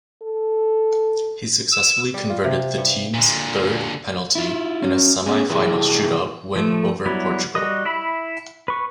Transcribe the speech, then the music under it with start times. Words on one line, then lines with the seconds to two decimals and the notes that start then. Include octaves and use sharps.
He successfully converted the team's third penalty in a semi-final shoot-out win over Portugal.
0.22 A4
1.72 E6
2.14 G3
2.30 F4
2.44 C3
2.78 G2
3.14 A#2 D3
4.35 E4 F4
4.83 C#4 F#4
5.26 B3 C#4 G#4
5.50 C2 E3 E4 G4 G#4 B4
6.56 F3 A3
7.06 F#3 G3 B3 E4
7.55 G3 F#4 D#5 D#6
7.85 E4 E5 B5
8.68 B4 C#6